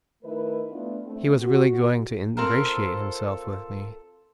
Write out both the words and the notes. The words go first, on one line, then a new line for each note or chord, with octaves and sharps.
He was really going to ingratiate himself with me.
D#3 A3 D#4 E4 A#4 B4
A3 B3 D4 E4 F4
A3 C4
F#4
C4 F4 A4 A#4